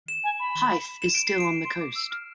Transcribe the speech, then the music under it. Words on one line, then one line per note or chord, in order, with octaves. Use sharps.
Hythe is still on the coast.
E7
G#5
B5
E7
D7
C7
D7
C6
D6
E6
F6